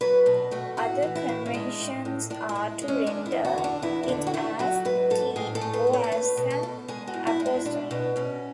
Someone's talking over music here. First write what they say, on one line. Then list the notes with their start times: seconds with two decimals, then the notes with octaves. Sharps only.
Other conventions are to render it as "t" or as an apostrophe.
0.01 F#3 B4
0.26 B2 D4
0.51 A3 F#4
0.77 A2 F#4
1.02 E3
1.15 E4
1.29 A2
1.46 C#4
1.54 G#3 D4
1.80 A2
2.05 A2
2.30 A2 D4
2.49 E4
2.56 G#3
2.82 G#3
2.88 C#4
3.06 E2 D4
3.26 E4
3.32 E2
3.45 F#4
3.58 D3
3.64 D4
3.82 E2 E4
4.03 E4
4.08 D3 D4
4.27 F#4
4.34 A3 E4
4.59 F#3 F#4
4.85 G#2 B4
5.10 G#2 A4
5.36 A2 G#4
5.55 A4
5.61 A3
5.73 B4
5.87 A3
5.93 C#5
6.04 A4
6.12 A3 B4
6.37 B2
6.50 A4
6.63 B2
6.88 G#3 G#4
7.07 F#4
7.14 A2
7.27 E4
7.40 G#3
7.46 D4
7.65 B2 D4
7.91 B2 B3
8.16 B2 C#4